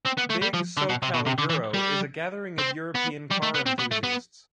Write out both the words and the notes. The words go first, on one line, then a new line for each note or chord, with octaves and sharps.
Big SoCal Euro is a gathering of European car enthusiasts.
C4
B3
A3
G3
F3
D3
B2
C3
B2
C3
D3
E3
G3
C4
B3
G3
A3
B3
C4
B3
A3
B3